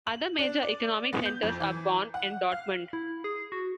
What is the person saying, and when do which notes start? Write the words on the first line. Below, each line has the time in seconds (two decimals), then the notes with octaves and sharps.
Other major economic centers are Bonn and Dortmund.
0.07 F#7
0.39 D4
0.63 D5
1.13 B3
1.26 G6
1.43 F2
1.60 E3
2.14 F#5
2.52 F5
2.93 E4
3.24 G#4
3.52 F#4